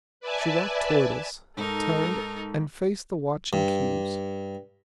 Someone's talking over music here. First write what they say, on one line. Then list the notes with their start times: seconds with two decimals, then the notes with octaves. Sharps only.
She walked toward us, turned and faced the watching cubes.
0.20 B4 D5 E5 G#5 A5
1.57 G#2 D#4 A4 A#4
3.53 G2